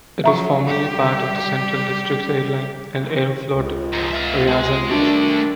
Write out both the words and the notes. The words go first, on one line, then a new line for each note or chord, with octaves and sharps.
It was formerly part of the Central Districts Airlines and Aeroflot Ryazan division.
F3 F#3 E5 A#5 C#6
G3 G4
C#2
G#2 F3
F4 E5
G#3
D#3 G3 A3 D4 D5